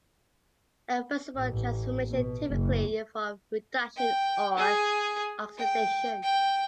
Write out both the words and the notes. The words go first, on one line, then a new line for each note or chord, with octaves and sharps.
Irreversible transformation typically involve reduction or oxidation.
A1
B2
F#1
G5
G#4
G5
G5